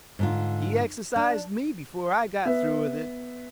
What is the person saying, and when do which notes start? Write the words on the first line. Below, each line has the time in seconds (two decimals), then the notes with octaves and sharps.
He exercised me before I got through with it.
0.19 G#2 D3 F4
1.16 D4
2.45 B3 B4 E5